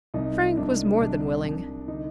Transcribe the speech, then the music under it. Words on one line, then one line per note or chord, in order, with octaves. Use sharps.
Frank was more than willing.
C2 D#4
C2 D4
C2 D4
C2
D3 D#4